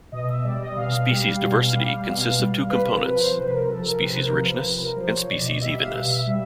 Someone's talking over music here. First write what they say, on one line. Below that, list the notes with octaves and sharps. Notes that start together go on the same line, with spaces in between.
Species diversity consists of two components: species richness and species evenness.
B2 D#5
E5
G3 D5
D#5
B2 F5
G3
B2
G3
B2
G3
C3 B4
A#4
A#4
F3 B4
C5
C3 C5
B4
A#4
F3 A4
A#4
C3 B4
B4
A#4
F3
B4
C3
A#4
F3 C5
C#5
B2 D5
D#5
G3 E5
F5
B2 E5
F5
E5
G3